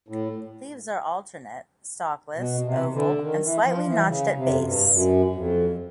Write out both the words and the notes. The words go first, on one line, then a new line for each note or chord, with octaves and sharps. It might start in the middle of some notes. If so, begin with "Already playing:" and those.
Leaves are alternate, stalkless, oval, and slightly notched at base.
A2
B2
C3
D3
D#3
E3
F3
E3
C#3
C3
F2
F#2
G2
F#2
F2